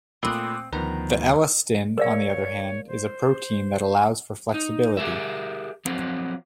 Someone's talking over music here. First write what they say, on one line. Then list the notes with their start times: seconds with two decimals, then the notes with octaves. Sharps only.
The elastin on the other hand is a protein that allows for flexibility.
0.23 A#2 A3 C4 B5 C6 D6 D#6 F#6
0.73 D2 D#3 F3 B3 B4 A#5
1.98 A#4 C#5 D5 F5
2.88 C5
4.54 D#4
4.97 G4 G#4 A#4 E5
5.85 F3 F#3 C4 F#4 C5